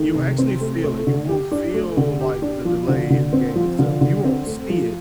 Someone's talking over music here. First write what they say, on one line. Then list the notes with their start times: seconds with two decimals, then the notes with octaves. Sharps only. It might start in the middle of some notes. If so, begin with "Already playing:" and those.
you actually feel it, you will feel, like, the delay in the game itself you won't see it,
Already playing: D#3 A3
0.15 C3
0.38 C4
0.61 A3
0.84 A3
1.07 D3
1.29 G4
1.52 D4
1.74 A3
1.97 D3
2.20 G4
2.42 D4
2.65 F3
2.88 D3
3.10 D3
3.33 C4
3.56 F3
3.79 D3
4.01 D3
4.24 C4
4.46 A3
4.70 F3